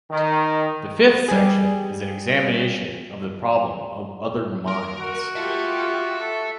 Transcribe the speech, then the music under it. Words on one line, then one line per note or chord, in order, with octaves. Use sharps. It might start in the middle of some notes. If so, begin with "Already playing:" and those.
The fifth section is an examination of the problem of other minds.
D#3
G3 G#4
A#4
F#4
F4 G4 E5 A5
A4